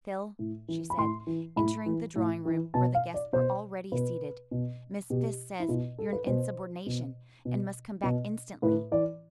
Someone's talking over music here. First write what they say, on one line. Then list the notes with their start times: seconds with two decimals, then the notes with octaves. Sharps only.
"Phil," she said, entering the drawing-room where the guests were already seated, "Miss Fisk says you're an insubordination and must come back instantly."
0.39 A2
0.68 E3
0.90 B5
0.98 A2 C6
1.27 E3
1.56 A2 B5
1.86 E3
2.16 A2
2.45 E3
2.74 B2 A5
2.95 F5
3.14 D5
3.33 B2 C5
3.92 B2 B4
4.51 B2
5.10 B2 G4
5.60 E4
5.69 B2 F4
5.98 A4
6.13 B4
6.27 B2 C5
6.86 B2
7.45 B2
8.03 B2
8.62 A2 B4
8.91 E3 D5